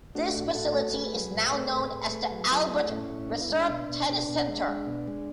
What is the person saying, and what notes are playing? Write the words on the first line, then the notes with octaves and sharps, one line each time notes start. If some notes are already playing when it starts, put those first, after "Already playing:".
This facility is now known as the Albert Reserve Tennis Centre.
A3 D4 F#4
A2
A2 F#4 A4
A3
A3 G#4 B4
F#3
A2
A3
A2
A2
A3
F#3
F#3 E4 G#4
A3
A2 C#4 E4
A2
B3 D4
E4
G#3 D4
B2
B2
B2
B2
G#3
G#3
B2
G#3